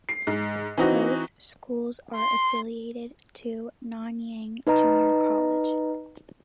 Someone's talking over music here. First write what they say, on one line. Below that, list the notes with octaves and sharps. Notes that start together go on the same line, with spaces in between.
Both schools are affiliated to Nanyang Junior College.
C7
G#2
E3 C4 D#4 F#4
C6
D#4 B4 D#5 A#5